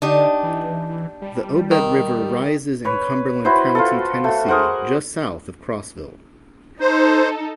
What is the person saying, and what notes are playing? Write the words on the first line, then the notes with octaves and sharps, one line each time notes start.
The Obed River rises in Cumberland County, Tennessee, just south of Crossville.
D3 D4 D#4 G4
E3
G3
D#3
B4 C#5
E4 F#4 B4 C5
F4 F#4 A4
A3 F#4
G#4 A#4 C5 F#5
D#4 A4 C5